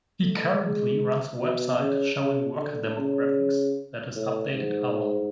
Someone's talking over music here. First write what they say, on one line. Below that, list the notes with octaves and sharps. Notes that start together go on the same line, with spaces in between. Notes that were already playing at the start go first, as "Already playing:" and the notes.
He currently runs a website showing worker demographics that is updated hourly.
A3
G#3
B2
C#3
C#3
D3
C#3
A2
G#2